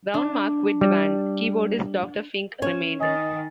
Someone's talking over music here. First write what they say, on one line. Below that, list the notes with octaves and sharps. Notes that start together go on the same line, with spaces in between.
Brown Mark quit the band; keyboardist Doctor Fink remained.
D4
G3
C#4 C#5
D#3 D#5 G#5 A6